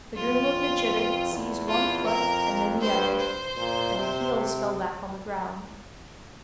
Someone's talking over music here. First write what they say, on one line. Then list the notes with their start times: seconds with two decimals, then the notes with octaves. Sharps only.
The groom of the gibbet seized one foot and then the other, and the heels fell back on the ground.
0.16 F2 F4
1.30 E2
1.68 F4
2.05 F2 A#4
2.81 G2 C5
3.19 C5
3.57 A#2
3.95 C3